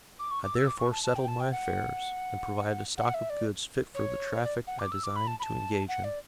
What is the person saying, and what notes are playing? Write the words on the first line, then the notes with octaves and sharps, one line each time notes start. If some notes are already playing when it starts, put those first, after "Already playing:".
I therefore settled my affairs, and provided a stock of goods fit for the traffic I designed to engage in.
D6
C#6
D6
E6
D6
C#6
A5
A5
G5
A5
G5
F#5
F#5
E5
D5
C#5
D5
F#5
D6
E6
D6
B5
A5
B5
A5
F#5
D5